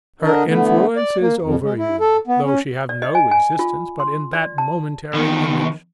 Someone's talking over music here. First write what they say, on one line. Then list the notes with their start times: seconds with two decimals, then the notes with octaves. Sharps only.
Her influence is over you, though she have no existence but in that momentary image.
0.22 D3 D4 A#4 D#5
0.46 D3 E3 A3 B3
0.97 D5
1.21 A#3
1.42 F2
1.63 G#3
1.78 E4
2.00 A4
2.27 B3
2.44 C#4
2.89 D5
3.02 D#5
3.15 G#5
3.31 G#5
3.59 F4
4.00 C6
4.33 D5
4.58 A5
5.14 E2 D#3